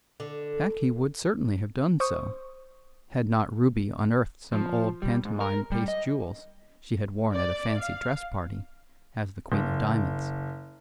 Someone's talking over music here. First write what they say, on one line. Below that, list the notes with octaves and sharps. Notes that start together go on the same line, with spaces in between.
In fact he would certainly have done so, had not Ruby unearthed some old pantomime paste jewels she had worn at a fancy dress party as the Queen of Diamonds.
D3
C5 C#6 D#6
F3
G3
G#2
A#4
G3
D#5
D5
F5
F#1